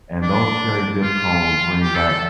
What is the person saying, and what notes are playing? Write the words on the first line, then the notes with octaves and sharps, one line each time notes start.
And those cherry-dip cones bring back
D4
F4
G4
A4
A4